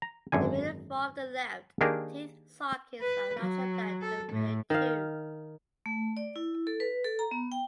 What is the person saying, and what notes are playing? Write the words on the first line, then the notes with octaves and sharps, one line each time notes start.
The middle four of the left teeth sockets are larger than the rear two.
A#5
G#1 F#2 D3 G#5
D#3 A#3 D4 G4 G#4 A#4
B4
F#3
A4
A2
D#3 F5
A3
D5
E4
A4
B4
A4
A#5
B3
G5